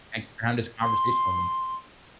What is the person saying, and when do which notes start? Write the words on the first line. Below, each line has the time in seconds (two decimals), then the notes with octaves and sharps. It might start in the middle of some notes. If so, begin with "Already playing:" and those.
thanks for having this conversation with me.
0.81 C6